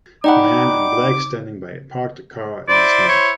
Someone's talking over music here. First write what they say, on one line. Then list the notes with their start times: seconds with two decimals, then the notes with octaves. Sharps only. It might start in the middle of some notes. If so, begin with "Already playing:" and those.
Man in black standing by parked car in the snow.
0.24 D#4 D5 F#5 G5 B5 D6
2.69 E4 C5 D5
3.09 C#5